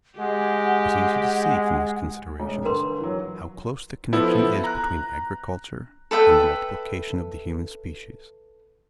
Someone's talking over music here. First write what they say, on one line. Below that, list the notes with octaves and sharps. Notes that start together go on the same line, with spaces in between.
It is easy to see, from these considerations, how close the connection is between agriculture and the multiplication of the human species.
G#3 G4 F#5
E1
G1 A#4 B4 C6
E3 F#3
F3 B3 E4 A4
A#5 F#6
A4 B4 E5 G5